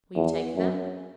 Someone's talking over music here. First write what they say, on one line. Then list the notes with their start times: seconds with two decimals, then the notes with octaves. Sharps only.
"Will you take them?"
0.16 E2
0.56 F#2